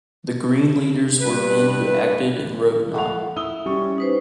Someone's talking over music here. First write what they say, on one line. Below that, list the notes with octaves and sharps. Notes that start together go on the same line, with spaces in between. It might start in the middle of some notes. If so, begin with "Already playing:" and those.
"The Green leaders were men who acted and wrote not".
G2 B4
F3 A4 F5 F#5 F7
E4 D#6 E6 G7
G3 C#4 C#6
D#4 B4 C5